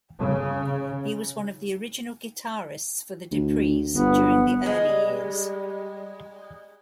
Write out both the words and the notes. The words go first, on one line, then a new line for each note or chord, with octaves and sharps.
He was one of the original guitarists for the Duprees during the early years.
C#3
D2
G1 B3
G#3
G3